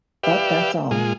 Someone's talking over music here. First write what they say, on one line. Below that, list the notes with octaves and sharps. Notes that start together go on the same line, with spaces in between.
But that's all.
G4 B4 D5 E5 F5 G5
A#2 G#3 F4 G#4